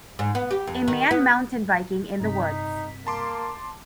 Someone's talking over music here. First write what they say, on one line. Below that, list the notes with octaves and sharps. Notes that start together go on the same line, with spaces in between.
A man mountain biking in the woods.
G#2
B3
G4
F2
D#3
B3
G2 C3 D#4 B6
A#3 A5 C6 D6